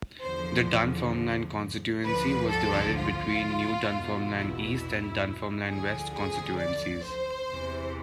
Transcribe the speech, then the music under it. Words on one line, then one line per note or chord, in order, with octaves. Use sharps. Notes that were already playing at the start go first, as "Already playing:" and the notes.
The Dunfermline constituency was divided between new Dunfermline East and Dunfermline West constituencies.
E2 D3 F3 C5
D2 D3 F3 B4
A4
F4
E2 B2
E4
D2 D3 F3 G#4
G#4
D5
C5
E2 C3 E3